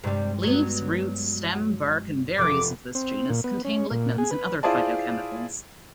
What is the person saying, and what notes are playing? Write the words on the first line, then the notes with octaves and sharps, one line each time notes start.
Leaves, roots, stem, bark and berries of this genus contain lignans and other phytochemicals.
G2 C3 G3 G#3
F#3 B3
F1 A4 D6
C4
A#2
B3
C#4
A#2
G#4
B4
E4 F4 G#4 C5 D5 A5